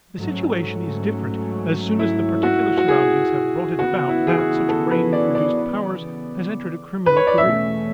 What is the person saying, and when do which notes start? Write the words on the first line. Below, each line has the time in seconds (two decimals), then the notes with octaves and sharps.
The situation is different as soon as the particular surroundings have brought it about that such a brain with reduced powers has entered a criminal career.
0.19 G#2 F#3 A3 C#4
1.99 E4
2.43 F#4
2.77 F#4
2.88 G#4
3.78 C#3 E3 B3 F#4
4.09 E4
4.27 G#4
4.38 F#4
4.69 A4
4.91 B4
5.13 D5
5.35 D5
7.06 B4
7.17 C#5
7.27 D5
7.37 E2 B2 A3 C#4 E5